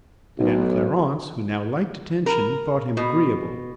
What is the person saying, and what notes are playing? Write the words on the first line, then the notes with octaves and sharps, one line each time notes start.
Madame Clarence, who now liked attention, thought him agreeable.
B1
A#4
B2